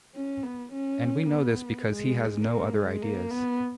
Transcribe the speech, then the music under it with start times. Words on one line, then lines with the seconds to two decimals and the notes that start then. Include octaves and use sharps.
And we know this because he has no other ideas.
0.15 C#4
0.43 B3
0.73 C#4
1.29 B3
1.87 G#3
2.44 A#3
2.73 G#3
3.02 A#3
3.31 B3